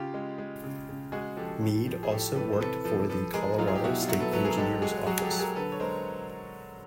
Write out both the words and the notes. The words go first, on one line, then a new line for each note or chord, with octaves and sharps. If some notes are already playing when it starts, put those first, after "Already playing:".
Mead also worked for the Colorado State Engineer's Office.
Already playing: C#3 F4 G4
G#3
G#3
C#3
C#3
G#3 F#4 G#4
F3 G4 A4
A2
F3
G#4
A2 G4 A4
E3 A4 B4
C5
C3 A4 B4
F3 A4 B4
F3 A4 B4
G#3 G#4 A#4
F#3 D#4 F4
G#4
G4
B2 E4 F#4
F4
F#3 E4 F#4
A4 B4
F#3 A4 B4
G#4 A#4
G#3 G4 A4
G#3 F#4 G#4
F#3 F#4 G#4
G#4
G4 A4
F#3
G#4 A#4
D3 A4 B4
C#5
G#3 A#4 C5